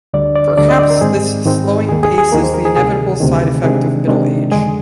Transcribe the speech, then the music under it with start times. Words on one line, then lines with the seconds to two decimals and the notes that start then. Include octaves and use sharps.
Perhaps this slowing pace is the inevitable side effect of middle age.
0.14 D2 D3 G3 D4 D5
0.36 D5
0.57 D2 D3 G3 D4 D5
0.69 D#5
0.79 D5
0.90 A#4
1.01 G#2 D#3 G#3 C4 D#4 G#4
1.45 G#2 D#3 G#3 C4 D#4
1.89 D#2 D#3 A#3 G#4
2.03 G#4
2.18 G#4
2.32 D#2 D#3 A#3 A#4
2.43 C5
2.54 A#4
2.65 G#4
2.76 D2 C3 D#3 G#4
3.21 D2 C3 D#3
3.64 C3 D#3 G#3 D4 G#4
4.08 C3 D#3 G#3 D4
4.52 F2 D3 G#3 G#4